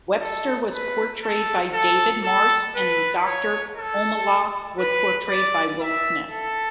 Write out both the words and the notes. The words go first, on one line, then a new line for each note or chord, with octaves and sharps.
Webster was portrayed by David Morse and Doctor Omalu was portrayed by Will Smith.
A4
B4
A4
A4
A4
B4
C#5
A4
B4
D5
E5
A4